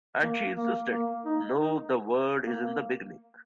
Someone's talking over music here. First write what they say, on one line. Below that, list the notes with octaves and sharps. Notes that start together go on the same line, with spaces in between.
And she insisted, no the word is in the beginning.
A#3
A#3
A#3
D#4
D#4
A#3
A#3